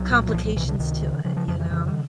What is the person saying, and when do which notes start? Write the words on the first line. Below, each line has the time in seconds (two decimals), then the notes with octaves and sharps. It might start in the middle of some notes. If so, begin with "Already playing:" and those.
complications to it, you know?
Already playing: C2 F#3
0.10 A#2
0.28 E3
0.34 C2 F3
0.45 F3
0.56 C3 E3
0.68 D3
0.79 C#2 D#3
1.02 C#3
1.24 C#3 F3
1.36 F3
1.48 F2 F3
1.60 E3
1.71 C#3 E3
1.86 D#3